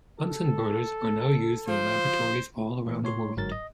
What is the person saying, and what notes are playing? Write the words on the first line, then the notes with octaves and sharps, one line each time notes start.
Bunsen burners are now used in laboratories all around the world.
A4
F3 C5
A2 E3
A2 C#5 C6
G1 G#2 F#3 A#4 A6
D#5